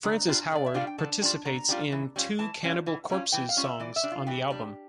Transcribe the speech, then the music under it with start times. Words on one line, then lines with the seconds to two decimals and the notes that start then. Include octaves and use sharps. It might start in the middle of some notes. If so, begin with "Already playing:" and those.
Francis Howard participates in two Cannibal Corpse’s songs on the album.
0.04 D3 A#5
0.28 G3 D4 F4
0.51 D3 D5
0.66 E5
0.74 G3 D4 F4 F5
0.87 G5
0.98 D3 A5
1.22 G3 D4 F4
1.45 D3 A#5
1.69 G3 D4 F4
1.92 E3
2.16 G3 C#4 F4
2.39 E3 A5
2.63 G3 C#4 F4
2.86 E3
3.10 G3 C#4 F4
3.32 E3 G5
3.49 F5
3.57 G3 C#4 F4
3.64 E5
3.80 E3 D5
3.96 E5
4.03 G3 D4
4.12 F4
4.27 E3 G4
4.50 G3 D4